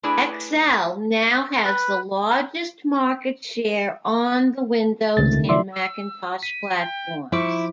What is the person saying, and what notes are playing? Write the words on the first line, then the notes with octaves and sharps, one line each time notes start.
Excel now has the largest market share on the Windows and Macintosh platforms.
A3 D4 E4 G#4 B4 D5
B4
C#2 C3 D#3 A3 A6
D3
F3 F#3 E4 D5 E5 C6
E6
B6 D#7
G5
F3 E4 C5 C#6 D6